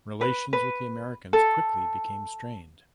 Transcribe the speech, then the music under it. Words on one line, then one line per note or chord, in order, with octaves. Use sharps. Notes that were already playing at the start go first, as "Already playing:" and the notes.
Relations with the Americans quickly became strained.
B4
B4
A4